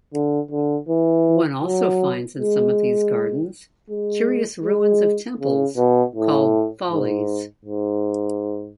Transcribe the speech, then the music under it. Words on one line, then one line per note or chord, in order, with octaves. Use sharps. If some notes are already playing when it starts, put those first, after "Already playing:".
One also finds in some of these gardens-curious ruins of temples-called "follies".
D3
D3
E3
F#3
G#3
G#3
G#3
C#3
B2
A2
G#2
G#2